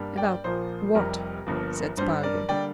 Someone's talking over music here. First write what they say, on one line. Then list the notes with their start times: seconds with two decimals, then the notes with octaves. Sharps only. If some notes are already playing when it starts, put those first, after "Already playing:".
"About--what?" said Spargo.
Already playing: G2 G3 A#3 D4
0.17 D5 G5
0.44 A#1 A#2 F3 A#3 C5
0.95 F1 F2 C3 G3 A#4
1.46 G1 G2 F3 A#3
1.97 G2 G3 D4 C5
2.23 A#4 D5
2.49 D3 G3 A#3 D5 G5